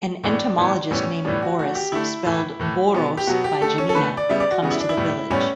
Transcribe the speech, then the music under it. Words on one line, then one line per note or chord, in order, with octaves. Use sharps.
An entomologist named Borys–spelled "Boros" by Janina–comes to the village.
A2 E3 B3 D4
A2 E3 B3
A2 E3 G3 B3 C#4
A2 E3 G3 B3 D4
F#4
D3 A3 F#4
G4
D3 A3 E4
A2 E3 A3
A2 E3 A3
B2 F#3 B3
G4
B2 F#3 B3 F#4
G4
D3 A3 A4
C#4
A4
D3 A3 B4
D5
C#3 G3 B3 E5
D5
F#4
C#3 G3 B3 F#4
E4
D4
E4
A2 G3 B3
A2 G3 B3 C#4